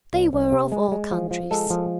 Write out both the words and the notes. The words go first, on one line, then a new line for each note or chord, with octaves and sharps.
They were of all countries.
C2
C2
C3
G#3
G#3
F3
F3
G#3 A4
F3